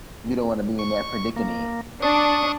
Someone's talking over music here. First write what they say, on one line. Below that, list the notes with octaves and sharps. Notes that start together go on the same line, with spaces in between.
You don't wanna be in that predicament.
C#6
A#3
D4 C#6 D#6